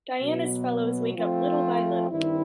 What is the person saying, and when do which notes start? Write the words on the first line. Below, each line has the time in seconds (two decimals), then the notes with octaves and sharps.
Diana’s fellows wake up little by little.
0.20 B2 F#3 B3
1.15 F3 A3 C4 F4
2.10 G2 D#3 G3 C4 E4